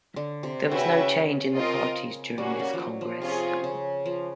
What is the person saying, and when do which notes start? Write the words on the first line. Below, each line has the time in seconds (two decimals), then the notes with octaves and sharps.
There was no change in the parties during this Congress.
0.16 D3
0.43 C3
0.71 C#3 C#4 F#4 B4 E5 G5
1.54 C4 F4 A#4 D#5
2.38 G3 A#3 C#4 F#4
2.59 G3
2.74 F3
2.79 F#3
3.01 F3
3.22 C3 C#4 F4 G#4
3.64 C#3
4.06 F3